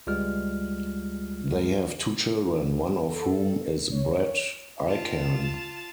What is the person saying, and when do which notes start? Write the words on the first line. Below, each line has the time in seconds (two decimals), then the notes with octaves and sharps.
They have two children, one of whom is Brett Icahn.
0.07 C#2 G3 G#3 F4 F6
3.10 A4
3.92 C#5
4.87 F4 A5